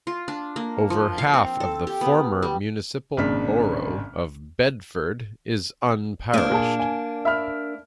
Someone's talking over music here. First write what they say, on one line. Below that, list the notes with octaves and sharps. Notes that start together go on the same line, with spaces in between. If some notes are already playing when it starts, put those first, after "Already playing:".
Over half of the former municipal borough of Bedford is unparished.
F4
D4
A#3
F3
F5
C4
A4
G4
B3
G3
G#1 A#2 C#3 D4 F6 B6
A#3 D4
A#2 G#4 A5
G#5
E5 B5 F6